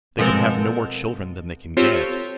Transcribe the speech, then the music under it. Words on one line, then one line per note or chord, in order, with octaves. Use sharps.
They can have no more children than they can get.
B2 F3 G#3 C4 A4 A#4
C4 F4 G4 A4 C5 C#5